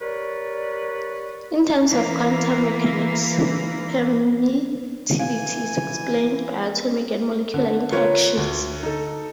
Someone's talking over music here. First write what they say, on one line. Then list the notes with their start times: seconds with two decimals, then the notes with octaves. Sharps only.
In terms of quantum mechanics, permittivity is explained by atomic and molecular interactions.
0.01 G3 A#4 B4 C#5 D5
1.90 E3 A#3
5.19 E3 F5 G#5
7.54 D3
7.92 F4 A#4 B4 C#5
8.37 D2
8.83 D#4 A4